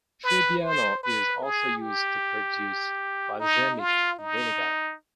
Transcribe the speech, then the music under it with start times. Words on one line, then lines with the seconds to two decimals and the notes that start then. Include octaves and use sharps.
Trebbiano is also used to produce balsamic vinegar.
0.24 B4
0.63 C5
1.03 B4
1.43 G#4
1.81 G4
3.40 D#4
3.79 F4
4.19 D#4